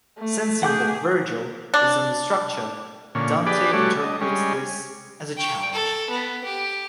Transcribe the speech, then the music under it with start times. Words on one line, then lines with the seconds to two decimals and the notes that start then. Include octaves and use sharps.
Sensing that Vergil is on the structure, Dante interprets this as a challenge.
0.19 A3
0.63 G#4 F#5 D6 G6
1.74 D4
3.15 A#2 D3 C#4
3.46 D4 G4 G#4 B4 D5
3.73 G3 A3 F#4 C#5
4.02 D#5
4.21 G3 G#3 C#4
5.37 G5 C#6
5.73 A4
6.10 B3
6.44 G4